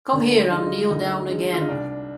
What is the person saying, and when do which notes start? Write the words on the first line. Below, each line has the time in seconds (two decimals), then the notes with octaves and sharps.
Come here and kneel down again!
0.13 D2 D4
0.51 G#3 D#4
0.55 D3 F4
0.67 D#4
0.91 D2 D#4
1.29 D3 G#3
1.54 F4
1.61 D#4
1.68 C2 D4